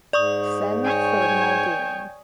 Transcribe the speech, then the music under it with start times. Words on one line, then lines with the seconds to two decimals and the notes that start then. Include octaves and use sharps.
Send for Muldoon!
0.13 G#2 D5 C#6 D#6
0.84 C#5 G5 G#5